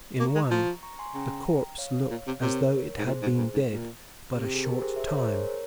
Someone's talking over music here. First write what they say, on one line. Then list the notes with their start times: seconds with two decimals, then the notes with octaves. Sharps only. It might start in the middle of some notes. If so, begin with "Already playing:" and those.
In one the corpse looked as though it had been dead but a short time.
0.20 A#3 A#5 C#6
0.35 G#3
0.51 F3
0.83 A#5 C#6
0.95 A#5
0.99 G#5 C6
1.15 C#3 G5 A#5
1.78 C#5 F5
2.11 A#2
2.27 C3
2.42 C3 A#4 C#5
2.98 G#2
3.06 A#2 G#4 C5
3.22 G#2
3.38 G2
3.54 G#2
3.70 A#2
4.33 C3 G4
4.44 G4
4.54 G#4
4.65 G4 A#4
4.81 G#4 C5
4.96 C5 E5
5.07 A#4 C#5
5.18 G#4 C5
5.28 A#4 C#5